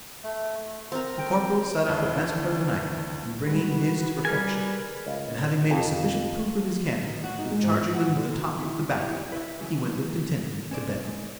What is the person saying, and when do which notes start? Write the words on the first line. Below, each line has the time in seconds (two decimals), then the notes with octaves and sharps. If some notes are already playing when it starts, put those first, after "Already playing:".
The corporal sat up the best part of the night, in bringing his to perfection; and having made a sufficient proof of his cannon, with charging them to the top with tobacco,--he went with contentment to bed.
0.23 A3
0.92 C4 A#4
1.18 G5
1.88 D2 D4 E4 B4
3.47 G3 G#3 F#4 B4
4.25 G3 G#4 A#4 B4 G#5 F6
5.06 C#2
5.70 F2
7.03 D#3
7.24 F#4
7.39 D#4
7.50 G#3
7.63 G#2
7.81 E3
7.94 F#4
8.16 D3
8.30 D#3
8.59 B2 D#3 E4
8.94 E4 G4 C#5 D5
9.32 B4 C#5 D#5 E5
9.60 C#3 E3 F#3 A3
10.71 C#4 C5 D5
11.05 G#2